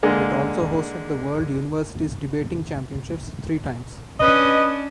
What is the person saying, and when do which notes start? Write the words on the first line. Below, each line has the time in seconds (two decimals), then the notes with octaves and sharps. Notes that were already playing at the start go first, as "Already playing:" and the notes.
It also hosted the World Universities Debating Championships three times.
0.03 D3 G#3 A#3
4.20 C#4 D4 B4 D#5